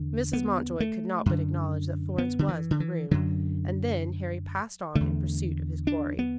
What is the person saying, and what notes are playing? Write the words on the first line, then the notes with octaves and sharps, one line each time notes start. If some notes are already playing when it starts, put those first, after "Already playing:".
Mrs. Mountjoy could not but acknowledge that Florence was in the room, and then Harry passed on in pursuit of his quarry.
Already playing: E2 D3
B3
A3
F#2 D3
B3
D3
E3
D3
E3
F#2 D3 F#3
E2 D3 A3
D4
B3